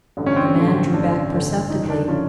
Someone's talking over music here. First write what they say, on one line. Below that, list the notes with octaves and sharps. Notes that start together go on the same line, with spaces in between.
The man drew back perceptibly.
A1 G2 D3
C#4
C4
C#4
A1 G2 D3
A1 G2 D3 D4
A1 G2 D3
F2 C#3 F3 D#4
D4
C#3 F3 C#4